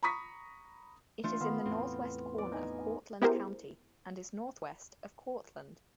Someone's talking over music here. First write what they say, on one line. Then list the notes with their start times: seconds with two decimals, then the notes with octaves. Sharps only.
It is in the northwest corner of Cortland County and is northwest of Cortland.
0.03 A#5 B5 C#6 D#6 B6
1.24 E3 A3 D4 F4
1.40 D#3 B3 F5 C6
1.66 E2 A2 C4
2.38 D5
2.52 D#4 G#5
3.22 B3 E4 G4 G#4 A#4 C5